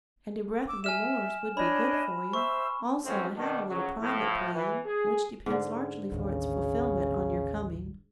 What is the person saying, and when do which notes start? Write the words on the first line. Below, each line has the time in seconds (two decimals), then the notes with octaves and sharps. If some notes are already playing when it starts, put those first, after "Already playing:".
And a breath of the moors would be good for you. Also I have a little private plan, which depends largely for its fulfilment on your coming.
0.67 D6 E6
0.84 E5 G#5 F6 E7
1.57 D4 C#5 D#5 B5
2.33 C5 E5 C#6 E6
3.05 F2 G#2 E3 F#3 C4 C#4
3.36 B2 D#3 D4
3.69 C#3 F#3
4.01 A2 F3
4.54 E3
4.85 G#4
5.46 G#2 D3
6.12 A1 D#2 C#3